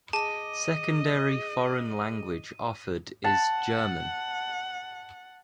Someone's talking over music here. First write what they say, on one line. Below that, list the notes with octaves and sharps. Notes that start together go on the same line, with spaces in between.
Secondary foreign language offered is German.
G#4 D#5 A5 D6 D#7
F#5 A5